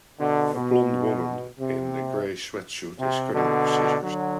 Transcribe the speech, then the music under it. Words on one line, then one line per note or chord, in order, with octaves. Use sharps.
A blond woman in a gray sweatshirt is cutting with scissors.
B2 D3
B2
C3
C3
B2 D3
D3 F#3